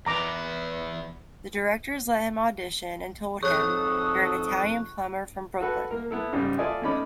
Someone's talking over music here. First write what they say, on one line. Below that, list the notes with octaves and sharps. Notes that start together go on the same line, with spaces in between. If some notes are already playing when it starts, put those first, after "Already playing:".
The directors let him audition and told him, "You're an Italian plumber from Brooklyn".
E2 B3 A#5 D6
F2 G#2 G#4 A4 C#5 C#6 D#6 F#6
F#4 A4 B4 F#5
A#3 A#4
B3 E4 A4
G#2 C#3 G3
F4 A4 D5 E5 G#5 D#6
E2 A3 C#4 D#4 B5 D6